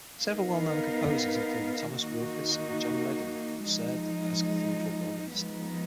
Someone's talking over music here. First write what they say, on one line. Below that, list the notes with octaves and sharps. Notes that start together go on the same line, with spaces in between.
Several well-known composers, including Thomas Weelkes and John Reading, have served as cathedral organist.
B3 D#4 A#4 F5
D#3 A#3 D#4 F#4
F3 G#3 D#4
F3 G#3 B3 D#4